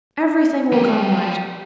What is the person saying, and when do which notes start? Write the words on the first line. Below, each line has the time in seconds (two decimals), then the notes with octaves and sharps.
Everything will come right.
0.73 F#3 G4